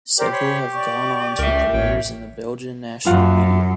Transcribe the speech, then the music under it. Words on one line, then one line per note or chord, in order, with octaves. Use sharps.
Several have gone on to careers in the Belgian national media.
G4 A#4 C5 D5
C5 C#5 B5
D5 C#6
C#2 A#4 E5
A1 C#5 G5
F#2 F4 F5 F#5